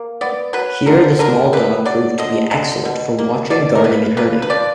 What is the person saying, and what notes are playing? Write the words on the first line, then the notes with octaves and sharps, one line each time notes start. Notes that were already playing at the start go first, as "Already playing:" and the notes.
Here the small dog proved to be excellent for watching, guarding and herding.
Already playing: A#3
B3 D5
F#3 B4
D3 A#4
D3 A#4
A#3 B4
F#3 D5
D3 D#5
D3
B2
A#3
B2 D5
A#4
A#3 B4
A#3 B4
B4
F3 D5